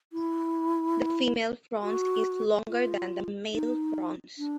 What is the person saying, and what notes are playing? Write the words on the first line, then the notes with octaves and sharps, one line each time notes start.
The female frons is longer than the male frons.
E4
F#4
F4
D#4
D4